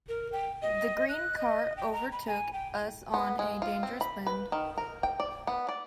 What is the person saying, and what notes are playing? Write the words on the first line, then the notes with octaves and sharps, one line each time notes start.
The green car overtook us on a dangerous bend.
A#4
G5
D#5
F#6
D#5
G5
A#5
B5
G#5
G5
B3
G#3
F4
C4
B5
B4
D#3
A#4
G5
D5
B3
D5